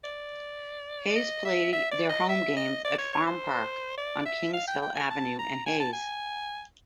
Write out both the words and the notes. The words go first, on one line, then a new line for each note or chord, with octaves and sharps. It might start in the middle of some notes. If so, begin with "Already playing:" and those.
Hayes play their home games at Farm Park on Kingshill Avenue in Hayes.
D5
D#5
E5
E5
D5
D#5
E5
D#5
D5
C#5
C#5
C5
D5
E5
F5
G5
G5
G#5
A5
A#5
G#5
A5
G#5